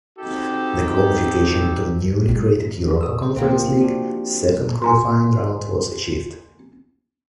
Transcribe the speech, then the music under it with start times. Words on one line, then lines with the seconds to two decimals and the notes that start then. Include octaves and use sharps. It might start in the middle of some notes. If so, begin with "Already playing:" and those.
The qualification to the newly created Europa Conference League second qualifying round was achieved.
0.18 C4 D#4 F#4 G4 A4
2.28 G#3
3.01 D#6 E6
3.22 C5
3.36 D2 A#2 F3 A#3 C4
3.81 D4 F#4 G4
4.82 G#5 A#5 C6